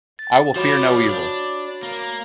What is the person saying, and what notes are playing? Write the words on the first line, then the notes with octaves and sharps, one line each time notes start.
I will fear no evil.
A6
F3 F#4 G4 C#5 B5
D4
A#3